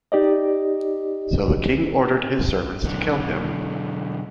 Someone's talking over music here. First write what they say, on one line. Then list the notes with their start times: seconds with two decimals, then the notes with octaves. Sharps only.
So the king ordered his servants to kill him.
0.12 D#4 G4 D5 D#5
2.85 B1 D3